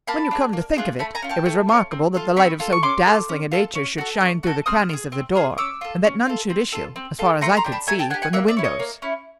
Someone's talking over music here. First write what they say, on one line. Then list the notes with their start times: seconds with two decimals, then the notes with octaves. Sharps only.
When you come to think of it, it was remarkable that the light of so dazzling a nature should shine through the crannies of the door, and that none should issue, as far as I could see, from the windows.
0.07 A#3 A5 B5
0.31 D4 F4 G#4
0.53 A#3
0.76 D4 F4 G#4
0.99 A3 A5 B5
1.15 G#5 A#5
1.22 C#4 F4
1.29 G5 A5
1.46 A3
1.69 C#4 F4
1.91 C4
2.14 F4 A4
2.37 C4 B5 C#6
2.60 F4 A4
2.72 C#6
2.83 C#4 C6 D6
3.06 F4 A4
3.29 C#4
3.52 F4 A4
3.75 C#4
3.98 F#4 A4
4.20 C#4
4.43 F#4 A4
4.66 C4 D#6 F6
4.89 F4
4.93 G#4
5.12 C4
5.35 F4 G#4
5.58 C#4 D6 E6
5.81 F4 A4
6.04 C#4
6.27 F4 A4
6.50 C4
6.72 F4 A4
6.96 C4
7.19 F4 A4
7.41 A3 A#5 C6
7.57 A#5 C6
7.64 D4 G4
7.72 A5 B5
7.87 A3 G#5 A#5
7.99 G5 A5
8.10 D4 F#5 G#5
8.14 G4
8.22 F#5 G#5
8.33 A#3 E5 F#5
8.48 D5 E5
8.57 C#4 E4
8.64 C#5 D#5
8.80 A#3
9.02 C#4 E4